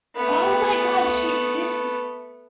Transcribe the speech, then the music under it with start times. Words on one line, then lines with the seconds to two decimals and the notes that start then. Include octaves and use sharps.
Oh my god, she this is
0.16 A3 B3